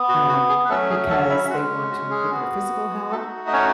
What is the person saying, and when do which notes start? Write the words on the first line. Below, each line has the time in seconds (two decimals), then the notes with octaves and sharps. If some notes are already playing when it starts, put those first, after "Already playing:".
um, because they want to improve their physical health.
Already playing: B3
0.09 F#4
0.29 F#4
0.49 G#4
0.65 B4
0.69 F#3 A3 C#4 A4
0.90 G#4
1.09 A3 A4
1.30 E4 E5
1.45 E5
1.49 G#3 C#4 F#4 F#5
1.91 F#4
2.11 G#4
2.31 B3 F#4
3.12 A3 D#4 F#4 A4
3.47 D#5
3.53 C#4 C#5